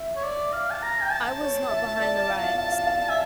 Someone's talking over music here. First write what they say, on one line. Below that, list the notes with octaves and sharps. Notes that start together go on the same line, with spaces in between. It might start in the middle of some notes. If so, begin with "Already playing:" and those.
I was not behind the riots.
Already playing: E5
C#5
D5
F5
A5
A#5
G5
A5
C#5
E5
D5
F5
F5
F5
F5
F5
E5